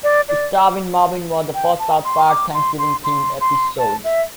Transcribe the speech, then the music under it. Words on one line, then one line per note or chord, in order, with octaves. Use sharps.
"Starvin' Marvin" was the first "South Park" Thanksgiving-themed episode.
D5
D5
G5
A5
C6
D6
C6
C6
C6
C6
A5
E5